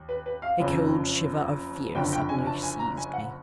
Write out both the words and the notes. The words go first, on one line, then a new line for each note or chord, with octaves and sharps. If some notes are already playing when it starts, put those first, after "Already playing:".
A cold shiver of fear suddenly seized me.
Already playing: D#2
B4
B4
F5
F#1 F2 C#3
F#1 F2 D3 G5
G5
G#5
A5
G#5
A#5
G#5
F#5